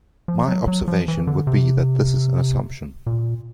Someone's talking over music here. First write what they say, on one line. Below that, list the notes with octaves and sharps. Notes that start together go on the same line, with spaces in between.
My observation would be that this is an assumption.
F3
F#3
F#3
F3
E3
D3
C3
A#2